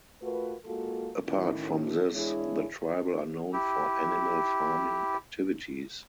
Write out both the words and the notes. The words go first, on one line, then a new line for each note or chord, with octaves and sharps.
Apart from this the tribal are known for animal farming activities.
A3 F4 F#4 A#4 B4
G#3 A#3 F4 F#4 A4
A2 D#3 C#4 E4
E2 G#3 D4 E4 G#4 C#5
E4 G4